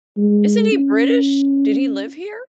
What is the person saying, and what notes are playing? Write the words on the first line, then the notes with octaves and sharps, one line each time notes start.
Isn't he British? Did he live here?
G#3
C#4